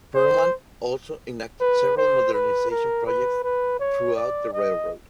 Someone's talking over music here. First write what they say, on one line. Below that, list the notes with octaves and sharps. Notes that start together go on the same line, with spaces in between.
Perlman also enacted several modernization projects throughout the railroad.
C5
B4
C5
B4
A#4
B4
B4
C#5
D5
D#5